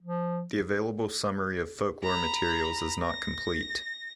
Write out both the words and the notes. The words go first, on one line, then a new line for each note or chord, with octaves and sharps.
The available summary of folklore materials is not complete.
F3
A#5 B5
A#6